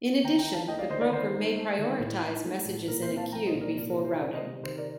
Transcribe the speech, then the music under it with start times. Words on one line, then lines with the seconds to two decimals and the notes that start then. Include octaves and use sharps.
In addition, the broker may prioritize messages in a queue before routing.
0.24 D#3 G5 A#5
0.39 G5 A#5
0.46 D4
0.53 F5 A5
0.68 A3 D#5 G5
0.79 D5 F5
0.90 D#3 C5 D#5
1.01 A#4 D5
1.12 D#3 C5
1.34 D#4
1.56 A3
1.78 D#3
1.99 A2
2.23 D#4
2.44 A3
2.65 A2
2.88 A#2 A#4
3.02 C5
3.10 C4
3.17 F5 A5
3.31 F3 G5 A#5
3.46 C5 D#5
3.53 A#2
3.61 A#4 D5
3.76 C3
3.90 A#4
3.98 G3
4.05 C5
4.19 D#3 A#4 D5
4.34 C5 D#5
4.42 C3
4.64 D#3 C5
4.78 A#4 D5